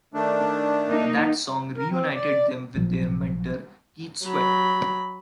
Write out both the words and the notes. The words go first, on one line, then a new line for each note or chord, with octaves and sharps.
That song reunited them with their mentor Keith Sweat.
D#3 A3 D4
A#3 D#4
A#4
C4
D5
A1 A#2 F3 F#3
F#3 B5